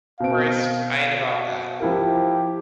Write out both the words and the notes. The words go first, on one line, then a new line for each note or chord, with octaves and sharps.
forest, I ain't about that.
B2 C4 F5 D7
F3 E4 G4 A#4